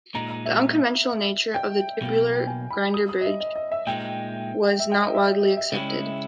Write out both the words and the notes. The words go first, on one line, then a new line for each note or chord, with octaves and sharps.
The unconventional nature of the tubular girder bridge was not widely accepted.
A#2 G#3 D#4 A#5
A#5
E5
G5
B1 B2 A#3
G#5
B5
D#6
D#6
D#5
E5
D#5
D#5
E5
A#2 G#3 D#4 G5
E5
G5
D#5
E5
E5
D#5
E5
C#3 G#3 C#4 E4